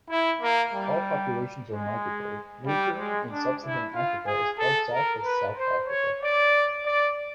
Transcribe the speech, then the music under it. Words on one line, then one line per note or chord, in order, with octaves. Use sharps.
All populations are migratory, wintering in sub-Saharan Africa as far south as South Africa.
E4
A#3
G3
G#3
G3
G#3
D4
E4
F4
G#4
A4
A#4
B4
C5
C#5
D5
D5